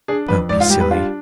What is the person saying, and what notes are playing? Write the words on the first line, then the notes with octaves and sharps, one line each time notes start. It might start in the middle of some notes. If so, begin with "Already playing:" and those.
Don't be silly.
D4 G#4
F2 B4
G#2 D5
F4
G3 G4
B4
D4 F4